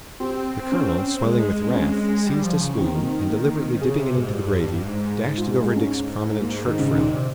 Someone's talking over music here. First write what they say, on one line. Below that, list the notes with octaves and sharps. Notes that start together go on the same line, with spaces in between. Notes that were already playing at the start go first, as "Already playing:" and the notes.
The colonel, swelling with wrath, seized a spoon, and deliberately dipping it into the gravy, dashed it over Dick's prominent shirt-frill.
C4 G4
C#4
G#3
C4
G#3 C#4
G3
F3
C#3
D#3 C4
A#3
C4
A#3
A#3
C4
C4
C#3 G#4
C3
G4
G#2
G2 G4
F2
G2
G2
G#2
F4
G4
G#3
C#4
A#3
D#3
C#3
A#2 D#3
C3